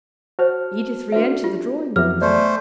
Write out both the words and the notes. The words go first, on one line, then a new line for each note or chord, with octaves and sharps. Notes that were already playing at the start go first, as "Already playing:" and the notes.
Edith re-entered the drawing-room.
F#4 C5 C#5 A5 F6
D4 F#4 A4 B4 E5
F4 G4
F2 F#3 B3 G#4 E5 F6
A3 C5 D5 G#5